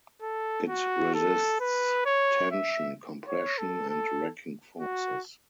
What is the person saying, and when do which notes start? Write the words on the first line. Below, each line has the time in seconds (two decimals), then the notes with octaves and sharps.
It resists tension, compression, and racking forces.
0.22 A4
0.69 F#4
1.15 A4
1.60 B4
2.06 C#5
2.51 E5
3.28 C#5
3.58 A4
3.89 A4
4.80 F#4